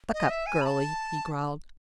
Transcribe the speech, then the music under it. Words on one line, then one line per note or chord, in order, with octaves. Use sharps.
"Buck up, girlie!" he growled.
D#5
E5
G#5
B5
A5